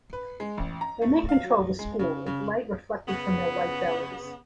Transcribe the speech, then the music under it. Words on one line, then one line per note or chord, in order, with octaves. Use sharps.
They may control the school with light reflected from their white bellies.
B4
G#3
A1
A#5
A3
F5
F#3
G#3
C#3
C#3
C#3 B3